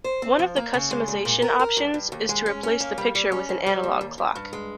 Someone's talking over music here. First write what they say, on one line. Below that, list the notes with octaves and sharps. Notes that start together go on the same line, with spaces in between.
One of the customization options is to replace the picture with an analog clock.
C5
C4
F3
A#3
C#3
G#3
A#2
A#2
A#4
A#4
G2
G2
D#2
G#3
C#4
C#4
A#3
G3
G3
C#4
F2
G3
D#2
D#2
G2
G2
G#3